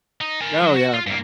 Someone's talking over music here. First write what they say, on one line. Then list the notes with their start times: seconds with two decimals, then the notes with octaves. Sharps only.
Oh, yeah,
0.21 D#4
0.41 A#4 G#5
0.62 F#3 F#4
0.76 F#4
0.94 F4
1.07 G2 A#3